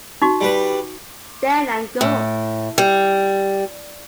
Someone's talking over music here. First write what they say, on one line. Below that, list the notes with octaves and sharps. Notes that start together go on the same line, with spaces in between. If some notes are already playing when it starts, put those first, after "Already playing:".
Then I'll go.
D#4 F#4 C#6
G3 B4
A2
G3